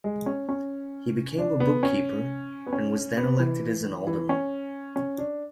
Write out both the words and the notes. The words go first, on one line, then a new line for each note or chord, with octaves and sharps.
He became a bookkeeper, and was then elected as an alderman.
G#3
C#4
C#4
D4
B3
C#4
B3
C#4
B3
E3
E3
C#4
C#4
D4